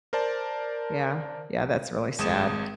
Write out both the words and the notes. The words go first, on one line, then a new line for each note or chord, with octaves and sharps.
Yeah. Yeah, that's really sad,
A#4 C5 D5 A5
G#1 G#3 D#6 E7